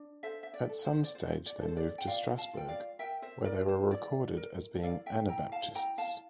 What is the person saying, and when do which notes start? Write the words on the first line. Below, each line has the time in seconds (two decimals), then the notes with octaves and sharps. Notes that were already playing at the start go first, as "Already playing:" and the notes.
At some stage they moved to Strasburg where they were recorded as being Anabaptists.
Already playing: D4
0.23 A4 C5 E5
0.43 E5
0.54 D5
0.69 A4
0.85 C5
1.04 D5
1.15 F4 C5
1.46 D5
1.61 A4
1.68 C5
1.77 D5
1.98 G5
2.07 F4 D5 F5
2.38 F5 A5
2.53 F4 G5
2.68 D5 F5
2.99 A#4 E5 G5
3.22 C5 E5
3.45 A#4 D5
3.68 C5
3.91 E4 D5
4.37 A#4
4.83 E4 D5 F5
5.06 E5 G5
5.29 E4 G5 A#5
5.52 F5 A5
5.75 E4 G5 A#5
5.98 F5 A5